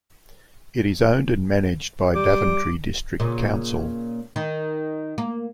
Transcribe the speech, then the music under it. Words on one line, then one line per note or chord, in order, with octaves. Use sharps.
It is owned and managed by Daventry District Council.
G3 D6
A#2 C#3
D#3
A#3